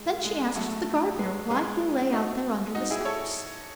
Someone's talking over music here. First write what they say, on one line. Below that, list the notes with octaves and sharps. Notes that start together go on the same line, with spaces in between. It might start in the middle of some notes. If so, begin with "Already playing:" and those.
Then she asked the gardener why he lay out there under the steps.
Already playing: G#3
G#3
F#3 A3
G#3 B3
G#3 B3
D#4 F#4
D#4 F#4
E4 G#4
A4 C#5